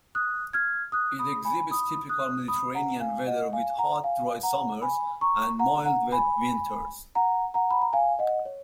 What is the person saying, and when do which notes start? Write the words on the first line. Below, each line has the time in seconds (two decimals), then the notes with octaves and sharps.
It exhibits typical Mediterranean weather with hot, dry summers and mild, wet winters.
0.15 D#6 F#6
0.53 F6 G#6
0.92 D#6 F#6
1.19 B5 D#6
1.45 G#5 B5
1.71 B5 D#6
2.09 D#6 F#6
2.48 B5 D#6
2.75 F#5 A#5
3.00 F5 G#5
3.26 D#5 F#5
3.53 F5 G#5
3.70 G#5
3.78 F#5 A#5
4.04 F5 G#5
4.43 F#5 A#5
4.82 G#5 B5
5.21 A#5 C#6
5.59 F#5 A#5
5.85 F#5 A#5
6.12 G#5 B5
7.15 F#5 A#5
7.54 F#5 A#5
7.71 B5
7.82 A#5
7.93 F5 G#5
8.19 D#5 F#5
8.45 C#5